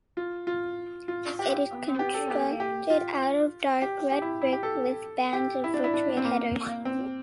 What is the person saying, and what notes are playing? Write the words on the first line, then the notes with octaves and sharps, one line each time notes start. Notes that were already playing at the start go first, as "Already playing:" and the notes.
It is constructed out of dark red brick with bands of vitrified headers.
F4
F4
F4
G4
G4
A4
G4
G4
F4
G4
G4
E4
E4
G4
A4
G4
E4
D4
E4
D4
D4
C4
A#3
C4